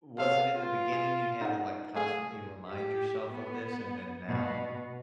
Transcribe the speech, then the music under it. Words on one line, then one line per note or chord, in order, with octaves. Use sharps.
was it in the beginning you had to, like, constantly remind yourself of this, and then now,
B3 A4 C#5 F5
F4
G#4
D#4 G#4 F#5
A3 G#4 F5 G#5
G4
B3
B2